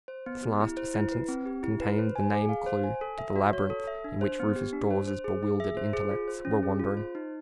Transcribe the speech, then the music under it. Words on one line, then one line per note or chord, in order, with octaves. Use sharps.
This last sentence contained the name-clue to the labyrinth in which Rufus Dawes's bewildered intellects were wandering.
C5
B3
G4
E4
C5
E4
B4
C4
G4
E4
B4
C5
G#5
G#4
F5
C5
G#5
A4
E5
F#4
C#5
A4
E5
D4
C5
B3
G4
D4
C5
C5
G#4
G#4
E5
C5
G#4
F4
C5
C#4
G#4
F4
C5
D#4